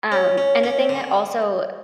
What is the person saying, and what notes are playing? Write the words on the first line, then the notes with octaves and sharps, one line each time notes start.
um, and the thing that also,
C#4
C#4
C#4
D3